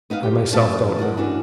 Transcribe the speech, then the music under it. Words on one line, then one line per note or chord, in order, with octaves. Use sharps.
I myself don't know.
B3 D#4 B4 F5
G4
F#2 A3 B4 F5 A5
A2 A#4 F#5
E3 C#4 D4 F#4